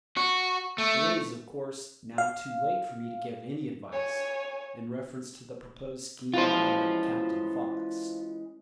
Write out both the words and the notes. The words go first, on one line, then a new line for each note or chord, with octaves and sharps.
It is, of course, now too late for me to give any advice in reference to the proposed scheme of Captain Fox.
F#4
A3
F5
C#5 G#5
E3 G#3 C#4 F4 C5